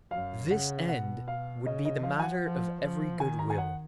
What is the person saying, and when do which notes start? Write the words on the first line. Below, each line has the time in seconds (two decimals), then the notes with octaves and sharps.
This end would be the matter of every good will.
0.11 F#2 F5
0.50 C#3 F#5
0.89 B2 F#5
1.28 F5
1.65 C#3 D#5
1.85 D#5
2.03 F3 F5
2.19 G#5
2.23 F#5
2.43 F3
2.81 F3
3.20 D#3 G#5
3.39 A#5
3.50 G#5
3.58 F#5